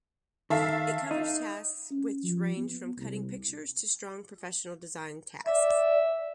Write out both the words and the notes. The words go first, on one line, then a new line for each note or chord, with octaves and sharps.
It covers tasks which range from cutting pictures to strong professional design tasks.
D#3 A4 E5 F5
D#4
C#4
F3
B3
C2
D5 E5